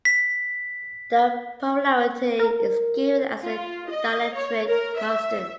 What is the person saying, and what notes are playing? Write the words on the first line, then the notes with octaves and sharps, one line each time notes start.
The polarity is given as the dielectric constant.
B6
A#4
F4
D#5
C#5
A#4
E5